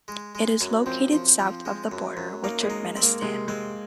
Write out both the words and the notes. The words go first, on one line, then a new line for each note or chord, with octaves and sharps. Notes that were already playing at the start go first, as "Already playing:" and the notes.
It is located south of the border with Turkmenistan.
G#3
G#3
F#2
F3 C4
F3
F3
G#3
F#2
F#2
A#3 D#4
G#3
D#4
C4
A#3
C3 G#3
G#3 C4